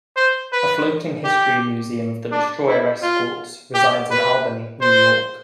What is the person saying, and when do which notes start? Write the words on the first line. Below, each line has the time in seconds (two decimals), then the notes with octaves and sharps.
A floating history museum of the destroyer escorts resides in Albany, New York.
0.16 C5
0.52 B4
1.24 G4
2.32 D4
2.67 E4
3.02 F4
3.74 G4
4.10 B4
4.81 C5